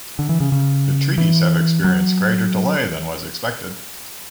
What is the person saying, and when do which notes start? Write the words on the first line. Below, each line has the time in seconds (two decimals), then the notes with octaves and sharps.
The treaties have experienced greater delay than was expected.
0.19 D3
0.29 E3
0.40 C#3
0.52 C#3
1.18 E3
1.84 F#3